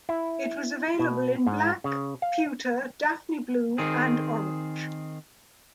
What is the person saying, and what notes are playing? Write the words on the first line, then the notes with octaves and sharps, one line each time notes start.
It was available in Black, Pewter, Daphne Blue and Orange.
E4
B2
G#2
C#3
F5
D#3 C4 G#4